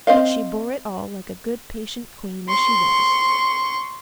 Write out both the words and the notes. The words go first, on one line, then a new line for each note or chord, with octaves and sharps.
But she bore it all like a good patient queen as she was.
C4 C5 D#5 F5
C6 C#6